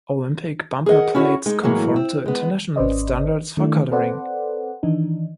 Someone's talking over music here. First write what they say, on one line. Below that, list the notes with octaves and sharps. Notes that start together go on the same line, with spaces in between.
Olympic bumper plates conform to international standards for colouring.
G#4 A#4 D#5 F#5
C#4 E4 F#4 C#5 F#5
G#3 D#4
A2 E3 F#3 G#3 A#3
C4
G#3 B3
G#1 C#4 B4 C5 D5 D#5
D#3 A3 D4 E4
C4 A4 B4 C5 D5 F#5
D#3 E3 D4 D#4